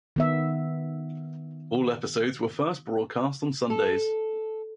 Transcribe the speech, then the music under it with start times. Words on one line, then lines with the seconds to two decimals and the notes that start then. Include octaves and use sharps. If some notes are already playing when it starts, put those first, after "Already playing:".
All episodes were first broadcast on Sundays.
0.16 D#3 B3 E5
3.70 A4